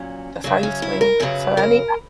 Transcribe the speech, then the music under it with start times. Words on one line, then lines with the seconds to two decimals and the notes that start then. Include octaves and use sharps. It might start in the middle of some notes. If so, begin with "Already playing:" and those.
That's how you swing, so, I need
Already playing: A#2 F#3 C#4
0.44 F#2 C#3 F#3
0.63 C#4
0.82 E4
1.01 A#4
1.20 F#2 C#3 F#3 B4
1.57 A#4